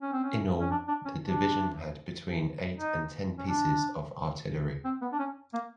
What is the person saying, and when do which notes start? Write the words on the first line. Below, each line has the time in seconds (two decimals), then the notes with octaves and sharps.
In all, the division had between eight and ten pieces of artillery.
0.02 C#4
0.13 C4
0.24 C#4
0.60 C#4
0.71 D4
0.88 D4
1.05 C#4
1.22 D4
2.78 D#4
3.38 C#4
3.47 D4
4.84 C4
5.02 B3
5.12 D4
5.19 C#4
5.53 A#3